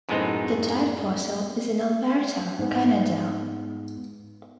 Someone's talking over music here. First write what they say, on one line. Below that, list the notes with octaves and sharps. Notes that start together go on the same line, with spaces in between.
The type fossil is in Alberta, Canada.
F#2 A2 G#3 B3 C4 D#4
G#2 B3